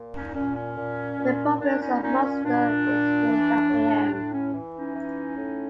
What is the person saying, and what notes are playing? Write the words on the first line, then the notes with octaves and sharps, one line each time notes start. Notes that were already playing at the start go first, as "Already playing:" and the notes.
The province of Munster is named after him.
Already playing: A#2
C#4 D#4
A#2 C#4
C#4
A#2
A#2
A#2 D4
C#4 D#4
A#2 C#4 D#4
C#4
A#2 D4
A#2
E3
A2
A2 D4
C#4
E3
C#4 D#4
E3
A2